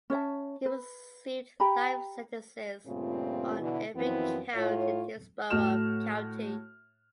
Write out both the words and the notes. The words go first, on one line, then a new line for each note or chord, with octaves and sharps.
He received life sentences on every count in Hillsborough County.
C#4 C#5 E5 A5
B4
G4 G5 A#5 B5
G2 A#2 C#3 A3 C4 F4
B2 D3 E3
F#2 E3 F3 B3 C4 E4
A2 F4 C#5
A2 A3 F#4 F6 E7